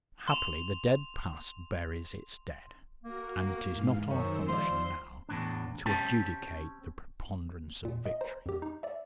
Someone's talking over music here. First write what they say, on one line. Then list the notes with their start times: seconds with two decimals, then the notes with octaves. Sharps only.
Happily the dead past buries its dead, and it is not our function now to adjudicate the preponderance of victory.
0.28 C6 E7 F7
3.03 A#3 F#4 A#4
3.71 G#2 E3 F5
4.10 F#2 D#3 C5 C#5 E6
4.48 F3 D5 C6
5.29 E2 A2 D4
5.86 C4 C#4 G4 A5
7.85 A#2
8.06 D#5
8.21 C5 A#5
8.46 F2 G4
8.62 D#4
8.83 D5 E5